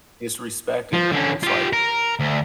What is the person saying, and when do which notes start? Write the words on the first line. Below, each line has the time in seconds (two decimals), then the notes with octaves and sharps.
disrespect in them, it's like,
0.93 F3
1.12 D3 C#4
1.43 F4 G4
1.73 A#4
2.20 D2